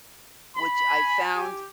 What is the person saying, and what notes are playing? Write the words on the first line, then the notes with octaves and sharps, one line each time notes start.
which I found
B5
G#5
G4